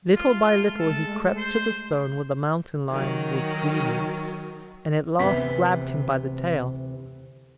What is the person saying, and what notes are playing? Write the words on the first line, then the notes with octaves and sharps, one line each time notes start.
Little by little he crept to the stone where the Mountain-lion was dreaming, and at last grabbed him by the tail.
G#3 A3 F4
A4
C5
D#3 F#3
D2 C3 E3 B3 B6